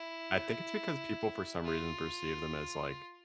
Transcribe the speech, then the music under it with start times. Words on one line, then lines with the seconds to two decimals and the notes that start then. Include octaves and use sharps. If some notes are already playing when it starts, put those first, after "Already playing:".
I think it's because people, for some reason, perceive them as, like,
Already playing: E4
1.64 F4